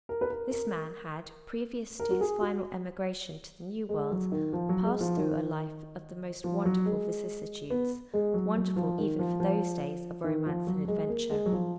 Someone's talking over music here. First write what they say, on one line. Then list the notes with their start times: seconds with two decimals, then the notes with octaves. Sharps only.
This man had, previous to his final emigration to the New World, passed through a life of the most wonderful vicissitudes--wonderful even for those days of romance and adventure.
0.09 A#4
0.21 B4
0.30 A#4
0.51 A#4
1.99 A#4
2.11 F#4
2.21 G#4
2.41 F#4
3.89 G#3
4.11 F#3
4.32 D#3
4.53 F3
4.69 F#3
4.84 G#3
5.01 F3
5.17 D#3
6.44 F3
6.65 F#3
6.86 G#3
7.70 B3
8.14 G#3
8.34 F#3
8.56 F#3
8.76 F3
8.98 D#3
9.19 F3
9.40 F3
10.24 D#3
10.46 F3
10.67 F#3
10.84 F#3
10.88 G#3
11.09 A#3
11.30 G#3
11.46 F#3
11.52 F3